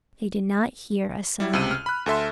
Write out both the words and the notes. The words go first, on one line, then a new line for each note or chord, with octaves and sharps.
They did not hear a sound.
G3 E4
C#2 C3 D#7
F6
B5 F#6
D2 A4 E5 C6